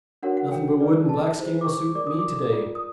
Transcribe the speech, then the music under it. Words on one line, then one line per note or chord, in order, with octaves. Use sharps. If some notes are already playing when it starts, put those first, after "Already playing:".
"Nothing but wood and black skin will suit me to-day!"
D4 F#4 A#4 C#5 F#5
F#5
G5
D#4 G#4 B4 D5
A5
E4 G#4 C5
D6
C#6
G4 A#4 D5 D6
D#6
D6
F4 A#4 D5
D#6